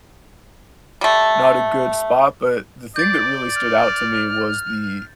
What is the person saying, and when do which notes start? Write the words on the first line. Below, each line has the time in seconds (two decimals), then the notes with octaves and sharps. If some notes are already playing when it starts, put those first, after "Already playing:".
not a good spot, but the thing that really stood out to me was the
1.01 G3 A3
2.96 D5 D6 G6 A6
3.55 F6